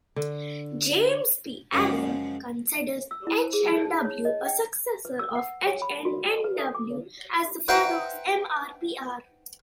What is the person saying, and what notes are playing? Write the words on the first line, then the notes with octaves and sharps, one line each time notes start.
James P. Allen considers "hnw" a successor of "hnnw" as the pharaoh's "m-r-pr".
D3
F#2 C#3 F3 F#3 G#3
E6
E4
C5
G#4
A5
A5
C#5
D#5
G5
B4
E6
F#5
C#5
B5
F#4
B4
A4
D6
B4 C5 E5 F#5 G5 A#5